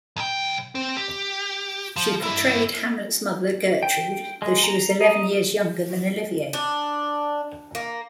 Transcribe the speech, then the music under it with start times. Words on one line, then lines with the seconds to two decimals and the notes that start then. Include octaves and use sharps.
She portrayed Hamlet's mother, Gertrude, though she was eleven years younger than Olivier.
0.16 B1 G5
0.75 C4
0.97 G4
1.96 F3
2.23 G2 E4
3.83 G5
4.42 G#3
4.63 A#5
5.01 D#4
6.53 D4
7.75 A#3